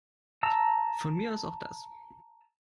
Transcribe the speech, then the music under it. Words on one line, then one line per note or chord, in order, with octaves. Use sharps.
Von mir aus auch das.
A5 A#5 E6